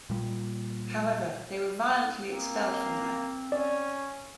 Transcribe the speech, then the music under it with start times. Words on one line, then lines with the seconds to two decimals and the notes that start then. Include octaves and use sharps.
However, they were violently expelled from there.
0.10 A#2 G3
2.30 A#3 C4
3.52 C#4 D5